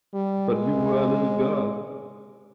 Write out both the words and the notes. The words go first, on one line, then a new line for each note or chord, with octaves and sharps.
But you were a little girl.
G3
G#3